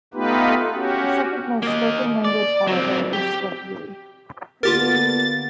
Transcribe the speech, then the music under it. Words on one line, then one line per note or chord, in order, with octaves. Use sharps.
The second most-spoken language however is Swahili.
A3 B3 D#4 F4 G4 B4
C#4 F#4 G4
A#3 D#5
D5
F#3 C4
G4
D3 A#3 B3 F4 G4 A#4 A6